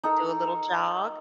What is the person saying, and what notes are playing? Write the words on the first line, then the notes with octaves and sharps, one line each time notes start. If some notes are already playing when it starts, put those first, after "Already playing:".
Do a little jog.
D#4 A4 A#4